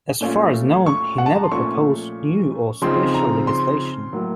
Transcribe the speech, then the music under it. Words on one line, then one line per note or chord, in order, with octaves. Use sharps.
As far as known he never proposed new or special legislation.
A#2 A3 C#4 F4
C#6
F#5
A5
A#5
C6
A#2 F3 A3 C#4 F4 C#6
C#3 F3 C4 D#4 C6
A#5
C6
A2 F#3 A#3